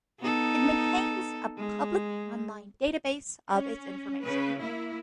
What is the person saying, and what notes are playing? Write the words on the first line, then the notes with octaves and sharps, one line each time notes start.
It maintains a public online database of its information.
B3 D#4 A4
G#3
C#4
C#3 B4
A#3 E4